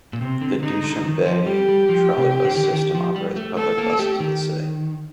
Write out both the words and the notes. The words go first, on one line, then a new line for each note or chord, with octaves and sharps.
The Dushanbe trolleybus system operates public buses in the city.
A#2
C3 C4
D3
D3 D#4
D3
D#3
F3
G3 G4
G3
F3
C3
D3
D#3
D3
D#3
F3
G3
A3
A3 A4
A#3
A3 G4
D#3